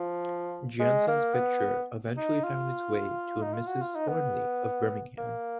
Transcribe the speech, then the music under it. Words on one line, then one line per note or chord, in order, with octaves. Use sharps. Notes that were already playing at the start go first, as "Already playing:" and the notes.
Janssen's picture eventually found its way to a Mrs Thornley of Birmingham.
Already playing: F3
G#3
A#3
B3
D#4
F4
D#4
F4
F#4
F4
D#4
B3
A#3